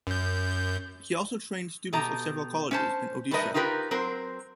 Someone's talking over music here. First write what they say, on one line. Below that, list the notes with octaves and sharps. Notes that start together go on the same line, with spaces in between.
He also trained students of several colleges in Odisha.
F#2 G6
B2 G4 A4 D#5 A#5
C#4 C5 A5
A2 G3 A3 A#4 B4 D#5
D#4 F4 G4 A#4 B4
F#3 C4 A#4 C5